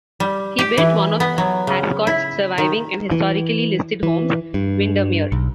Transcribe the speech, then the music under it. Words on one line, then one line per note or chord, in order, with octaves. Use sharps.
He built one of Ascot's surviving and historically listed homes, Windermere.
G3
G4
E3
B3
F#3
C#3
E4
D#3
E3
E3
G2
B1